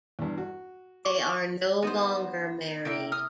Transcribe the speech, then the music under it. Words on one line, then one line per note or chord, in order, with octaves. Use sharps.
They are no longer married.
E2 G2
F#4
C#6 D6
B3 D#4 F#4 C5
C3 A#3 E4 G5
D#6 F6